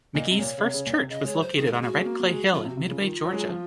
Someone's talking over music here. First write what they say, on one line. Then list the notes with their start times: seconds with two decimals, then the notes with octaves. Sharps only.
McGee's first church was located on a red clay hill in Midway, Georgia.
0.15 A#2 D#5
0.31 C3
0.39 A#2 C#5
0.58 C#3
0.63 C3
0.74 C#3
0.87 A#2
0.98 C3
1.10 C#3 D#5
1.24 G#3 C#5
1.34 F#3
1.42 C5
1.57 D#3 G#4
1.65 A#4
1.70 G#3 G#4
1.82 G#3 F#4
1.94 G#3
2.05 A#3
2.20 A#3
2.30 G#3
2.53 F3 F4
2.65 C3
2.69 F#4
2.77 C3
2.85 C#3 F4
3.01 D#3 F4
3.25 F#3
3.32 G#3
3.40 F#3
3.49 F3